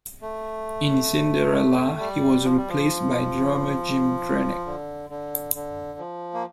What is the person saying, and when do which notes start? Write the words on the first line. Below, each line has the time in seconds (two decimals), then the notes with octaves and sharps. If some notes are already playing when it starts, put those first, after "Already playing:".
In Cinderella, he was replaced by drummer Jim Drnec.
0.22 A3
2.00 G3
2.44 F3
2.57 G3
2.69 F3
4.66 D3
5.10 D3
5.55 D3
5.99 F3
6.34 A#3